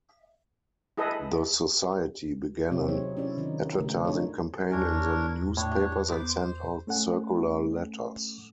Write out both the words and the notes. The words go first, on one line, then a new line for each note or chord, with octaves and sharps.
The society began an advertising campaign in the newspapers and sent out circular letters.
E4 G#4 A4 B4 D#5 E5
C3 F#3 C4 C#5 E5
F#3 D#4 G#4 C5 C#5
C#4 D4 E4 G4 C#5 D5
D#3 D#4 F4
C#3 A3
D4 D#4 F4 F#4 A#4 C#5
A4
E2 D4 A#4 C#5
A2 D4 C#5
B3 C5 A#5 D6
C5
A3 C#4 A4 F#5 G#5